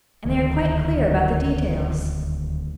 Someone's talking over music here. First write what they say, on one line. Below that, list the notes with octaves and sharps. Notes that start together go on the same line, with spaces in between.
And they are quite clear about the details.
D#1 D2 D#3